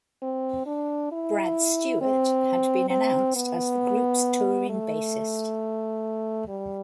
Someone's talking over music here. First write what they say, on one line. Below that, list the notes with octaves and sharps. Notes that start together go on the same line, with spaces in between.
Brad Stewart had been announced as the group's touring bassist.
C4
D4
E4
C4
C4
B3
A3
G3